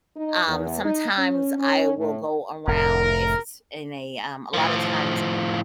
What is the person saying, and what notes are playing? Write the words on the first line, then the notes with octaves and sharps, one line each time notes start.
um, sometimes I will go around if it's in a, um a lot of times
D#4
E2
D#4
C#4
C#4
A2
F1 A2 A#4
A2 F3